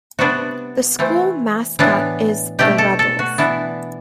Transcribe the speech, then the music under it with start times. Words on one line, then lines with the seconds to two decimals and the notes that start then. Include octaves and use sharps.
The school mascot is the Rebels.
0.19 C3 G3 B3 D4 F#4
0.99 E3 A3 C4
1.79 A2 E3 B3 D4
2.59 B2 A3 D4 G4
2.78 A4
2.99 A4
3.19 F#4
3.38 E3 B3 D4 E4